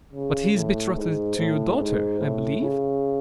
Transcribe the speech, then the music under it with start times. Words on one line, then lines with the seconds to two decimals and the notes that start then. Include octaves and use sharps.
"But he is betrothed to your daughter, I believe?"
0.13 C#3
0.55 A2
0.96 G#2
1.37 A2
1.78 G#2
2.19 A2
2.61 C#3